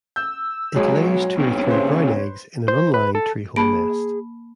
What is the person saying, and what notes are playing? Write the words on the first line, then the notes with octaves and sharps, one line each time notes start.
It lays two or three brown eggs in an unlined treehole nest.
E6 G6
B1 F#3 G#3 C#5
B1 G#2 C3
C#3 B4 C5
C5
B4
A4
A#3 G#4 A5 B5 D7